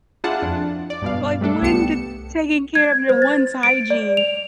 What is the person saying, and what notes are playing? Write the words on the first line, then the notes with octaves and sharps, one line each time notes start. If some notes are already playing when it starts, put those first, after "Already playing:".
Like, when did taking care of your one's hygiene
D4 E4 F4 G#4 F#5 A5
F2 D4
D5
G2 B2 F5
G3 A3 D4 A4
C2 B3 G4 C#7 E7
G#6
C5
A6
D7
D5
F7